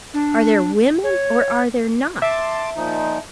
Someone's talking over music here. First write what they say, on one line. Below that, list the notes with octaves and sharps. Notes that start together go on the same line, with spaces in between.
Are there women or are there not?
D4
C#5
E5 A5 C6 D6
A#2 F3 D#4